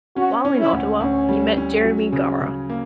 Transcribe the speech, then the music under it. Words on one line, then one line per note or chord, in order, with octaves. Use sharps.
While in Ottawa he met Jeremy Gara.
C#4 F#4
C#4
E4
D2
D2 C#4
G3
C#4
F#3
C#3
C#3
A#3